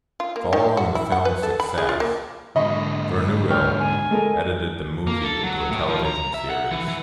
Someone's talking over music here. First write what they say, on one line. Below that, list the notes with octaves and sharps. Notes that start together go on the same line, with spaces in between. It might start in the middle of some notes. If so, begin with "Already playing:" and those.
Following the film's success, Verneuil edited the movie into a television series.
F4
A#3
D#3
F#4
E4
F#5
B4
A4
B5
G#4
F4
A#3
G#2 D3 D#5 B5 C#6
C#5 G5 F6
G#5 F6
G#3 A4 A#4
A#3
A4
F#3
A2
F3
A#5
E5
F#5
E3
E3